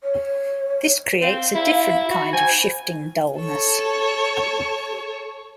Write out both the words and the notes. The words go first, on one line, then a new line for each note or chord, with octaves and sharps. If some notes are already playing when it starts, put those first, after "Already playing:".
This creates a different kind of shifting dullness.
C#5
C4 F5
E4
F#4 B5
C5 G#5
A4 C#5